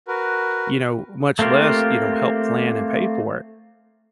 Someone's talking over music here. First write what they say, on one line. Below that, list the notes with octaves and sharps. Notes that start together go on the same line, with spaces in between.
you know much less, you know, help plan and pay for it."
F#4 A#4 B4
A3 A#3 C4 F4 G4